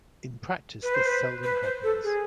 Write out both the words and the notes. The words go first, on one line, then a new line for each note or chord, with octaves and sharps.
In practice, this seldom happens.
B4
C5
B4
B4
C5
A4
G#4